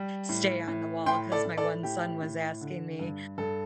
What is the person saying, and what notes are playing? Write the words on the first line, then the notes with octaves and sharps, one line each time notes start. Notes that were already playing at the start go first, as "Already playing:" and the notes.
stay on the wall 'cause my one son was asking me,
Already playing: G3
A2
A2
A2 G5 C6
A4 D5
A2
A4 D5
A2 G4
A2
D3
G2
G2 A4